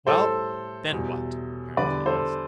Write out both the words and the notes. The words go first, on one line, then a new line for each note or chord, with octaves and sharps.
"Well, then what?" Harrington asked.
A2 G3 A4 C5
E2 B2 G3
E2 D3 G3 B4 D5
A4 C5